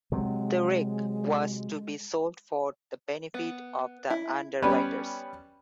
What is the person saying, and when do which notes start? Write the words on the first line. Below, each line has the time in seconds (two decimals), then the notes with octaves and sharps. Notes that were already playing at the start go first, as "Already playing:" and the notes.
The wreck was to be sold for the benefit of the underwriters.
0.12 C3 F#3 G#3
3.34 B3
4.10 E4
4.62 G3 B3 C#4